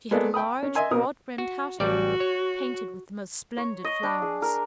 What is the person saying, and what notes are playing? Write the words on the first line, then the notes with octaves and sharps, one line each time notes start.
She had a large broad-brimmed hat on, painted with the most splendid flowers.
G#3 A#3 B3 G#4 A4 D5
G5 B5 D#6
C#4
D#5 E5 G#5 C6
B2 C4 A#4 D#6
F#4
A1 G3 F#4 D5
C#5
C#5
D#5
D4
G#4
A#4